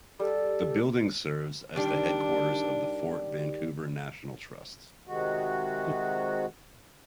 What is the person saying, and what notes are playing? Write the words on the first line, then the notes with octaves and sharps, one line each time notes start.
The building serves as the headquarters of the Fort Vancouver National Trust.
G3 A4
D#3 G3 D4
C3 D#3 G#3 F#4